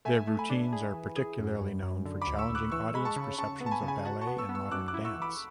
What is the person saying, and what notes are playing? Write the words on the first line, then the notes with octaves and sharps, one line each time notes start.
Their routines are particularly known for challenging audience perceptions of ballet and modern dance.
A3 E5 G#5
A3
G#5 B5
D4
G#4
E3
G#4
F#2
F#2
F#2
D3
B5 D6
D2
C#6 E6
D2
D6 F#6
E3 C#6 E6
G#3 B5
A5 C#6
C#3
C#3 A5 C#6
B3
A5
G#5 B5
C#3
G#5 B5
F#4 F#5 A5
A5 C#6
B3
C#6 E6
B3
C#6 E6
F#2 D6 F#6
D6 F#6
E4
C#6 E6
E3
B5 D6